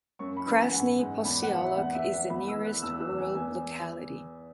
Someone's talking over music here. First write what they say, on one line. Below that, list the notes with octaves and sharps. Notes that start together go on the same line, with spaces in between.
Krasny Posyolok is the nearest rural locality.
F#2 C#6
B5
E3
G#5
G#2 F#5
G#2 G#5
E2 B5
F#5
E3
E5
E2 F#5
E5
E2
F#5
E2 B5
E6
E3
F#6
E2 E6
E6
E2
G#5
E2 G#5